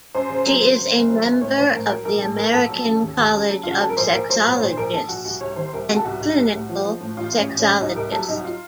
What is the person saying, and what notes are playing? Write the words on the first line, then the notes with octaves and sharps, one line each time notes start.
She is a member of the American College of Sexologists, and clinical sexologist.
F#2 C5
C#3
F#3
C#3
C#3
F#1
F#3
F#1
A2 C#5
A#1 C5
A2 A#4
F#3 A#4
A#1 A#4
A2 A4
A#1 A#4
A#1 A4
F#3
C#3
D#2
D#2
C#3
F#3
C#3 F4
F#4
F#3 A4
A#4
A#1 C5
A#2 A#4
F#3 C5
A#2
C#5
A#2 C5
A#1 A#4
A#1 A4
A#1 F#4
C2 F#4
C2 C#5
C#5
D#3 C5
C2 A#4
C3 F#4
A4
C2 F#4
C2
C2
A2
F3
F3
A2
A1 F4
A2
C#4
A1
C#4
A1
C2 D#4
C2 A#4
F#3 A4
C2 D#4
F#4
F4